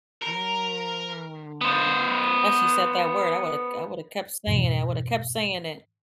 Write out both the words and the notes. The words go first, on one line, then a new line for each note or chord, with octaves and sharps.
Mm. Plus you said that word, I woulda k I woulda kept saying it. I woulda kept saying it
A#4
B3 C5
F2 G#2 B2 E3